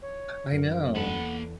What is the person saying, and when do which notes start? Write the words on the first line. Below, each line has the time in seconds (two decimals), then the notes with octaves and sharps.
I know.
0.02 C#5
0.52 F#2 A#4
0.95 E2 A#3 A4 F#5 B5